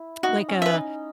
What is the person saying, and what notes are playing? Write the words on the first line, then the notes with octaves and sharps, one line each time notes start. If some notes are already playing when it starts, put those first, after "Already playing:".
like a
Already playing: E4
D#4 F#4
C#4
B4 E5
D#4